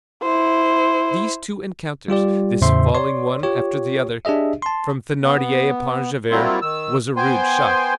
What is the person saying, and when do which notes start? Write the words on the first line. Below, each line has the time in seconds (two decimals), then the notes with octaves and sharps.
These two encounters, this falling one after the other, from Thenardier upon Javert, was a rude shock.
0.23 E4 C5
2.08 G3 F4 G4 D5
2.61 E2 A2 C#3 C5 E5 C6
2.95 C#5 D5 C6
3.43 F4 G4 C#5
4.25 D4 G4 G#4 D#5 E5
4.62 A5 C6
5.23 B3
6.31 F#3 G3 A#3 C4 E4 F4
6.62 D#3 E6
7.17 B3 C5 G5 G#5 C6